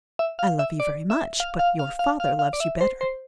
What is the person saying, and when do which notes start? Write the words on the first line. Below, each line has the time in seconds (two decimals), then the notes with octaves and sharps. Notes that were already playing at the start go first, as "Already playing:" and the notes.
"I love you very much, but your father loves you better."
0.19 E5
0.39 F5
0.59 E5
0.80 D5
1.10 E5
1.40 F5
1.59 F5
1.79 F5
1.99 F5
2.20 F5
2.39 F5
2.53 D5
2.60 E5
2.81 C5
3.01 C5